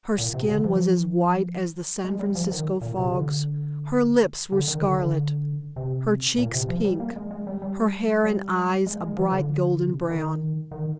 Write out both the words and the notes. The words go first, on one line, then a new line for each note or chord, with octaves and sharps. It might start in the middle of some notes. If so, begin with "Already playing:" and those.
Her skin was as white as the San Francisco fogs, her lips were scarlet, her cheeks pink, her hair and eyes a bright golden brown.
A#2
C3
D3
F3
G#3
G3
F3
D#3
A#2
C3
D3
D3
D#3
D3
D3
C3
A#2
C3
F3
G3
A#3
G#3
G#3
G3
G3
G3
G#3
G#3
D#3
F3
D3
C3
D3
D#3
D#3